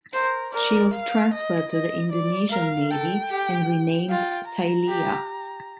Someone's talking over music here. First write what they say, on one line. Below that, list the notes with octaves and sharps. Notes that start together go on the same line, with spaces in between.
She was transferred to the Indonesian Navy and renamed "Silea".
A#4 C5
A#4 D5
F5
D#5
D#5
D5
A#4 F5
A4 G5
G4
F4 G5
A#5
G4